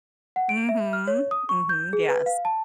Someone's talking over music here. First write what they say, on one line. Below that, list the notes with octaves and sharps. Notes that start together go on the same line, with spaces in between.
Mhm. Mhm. Yes.
F#5
D7
E5
F6
C#5
D#6
C#6
G6
G#4
B4
F5
A5